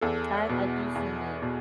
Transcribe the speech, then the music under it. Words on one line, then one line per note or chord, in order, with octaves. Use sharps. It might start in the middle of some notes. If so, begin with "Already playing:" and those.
I I do see me,
E2 A4
B2
E2
B2